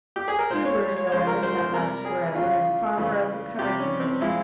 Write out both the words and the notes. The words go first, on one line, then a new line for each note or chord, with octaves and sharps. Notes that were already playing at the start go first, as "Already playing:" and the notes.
Stupors, however, do not last for ever, and Farmer Oak recovered from his.
G4
G#4
A#4
A#2 G#3 C5
C#5
C#5
C#5
C#5
C#3 F3 G#3 C5
A#4
C5
C5
C3 G3 A#4
G#4
C#3 G3 F4
C#3 E3 G3
C3 G3 G4
C#4
C4
A#2 F3 G#3 E4